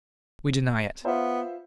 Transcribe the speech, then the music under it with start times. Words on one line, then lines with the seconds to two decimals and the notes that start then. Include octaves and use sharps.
We deny it.
1.04 B3 F4 C5 E5